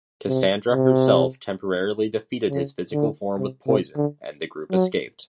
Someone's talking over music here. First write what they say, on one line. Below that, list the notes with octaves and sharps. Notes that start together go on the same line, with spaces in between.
Cassandra herself temporarily defeated his physical form with poison, and the group escaped.
C3
C3
C#3
D3
C3
C3
D3
F#3